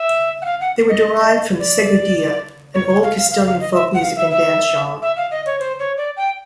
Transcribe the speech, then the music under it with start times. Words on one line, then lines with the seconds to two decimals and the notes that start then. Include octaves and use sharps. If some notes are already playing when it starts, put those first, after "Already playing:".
They were derived from the Seguidilla, an old Castilian folk music and dance genre.
Already playing: E5
0.42 F#5
0.45 F5
0.61 F#5
0.89 D#5
1.59 D5
2.74 C#5
2.88 C#5
3.02 F5
3.17 F5
3.31 F5
3.46 F5
3.60 D#5
3.74 E5
3.94 F#5
4.03 F5
4.16 E5
4.30 E5
5.02 E5
5.17 F5
5.31 D#5
5.46 C#5
5.59 C5
5.79 C#5
5.97 D5
6.17 G5